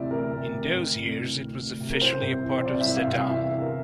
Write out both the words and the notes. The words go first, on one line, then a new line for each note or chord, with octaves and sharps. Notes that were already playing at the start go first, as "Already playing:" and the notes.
In those years it was officially a part of Zeddam.
Already playing: D2 C3 E3 D5 E5
D2 A#4
D2
C3
D2
C3
E3
D2
D2
C3
A#4
C2 C5
C3
E3
C5
C2 D5
E5
C2
F5
C3
F5
E2 E5
D3
A#4